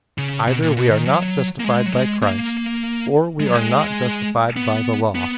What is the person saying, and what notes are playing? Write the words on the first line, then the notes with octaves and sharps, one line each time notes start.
Either we are not justified by Christ, or we are not justified by the Law.
C#3
B2
A#2
B2
D#3
F#3
A#3
G#3
F#3
G#3
A#3
G#3
F#3
G#3
B3
B3